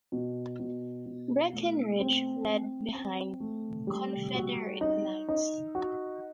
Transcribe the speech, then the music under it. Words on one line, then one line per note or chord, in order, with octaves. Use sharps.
Breckinridge fled behind Confederate lines.
B2
B2
B2
A3
C4
C4
C4
A3
G3
F#4
D#4
D#4
F#4